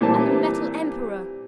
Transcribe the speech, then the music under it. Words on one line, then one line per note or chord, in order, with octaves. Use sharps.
And the Metal Emperor!
A#2 E3 G3 C4 A5